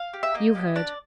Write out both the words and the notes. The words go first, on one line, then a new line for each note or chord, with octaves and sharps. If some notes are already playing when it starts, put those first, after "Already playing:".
You heard.
Already playing: F5
G4
E5
A#3 D#5
G4
D4 D5